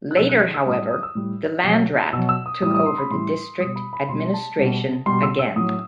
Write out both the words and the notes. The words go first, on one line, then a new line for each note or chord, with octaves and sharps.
Later, however, the "Landrat" took over the district administration again.
F#6
B2 F#3 E6
F#6
F#6
E6
A2 G3 D#6
D#6
E6
A2 G3
B2 F#3
B2 F#3 E6
E6
D#6
A2 E3 G3 D#6
D#6
C6
B5
A2 E3 G3 C6
B2 G3 D#6
B5
B5
B2 G3 C6
A5
B2 G3
B2 G3 C6
E6
E6
A2 F#3 D#6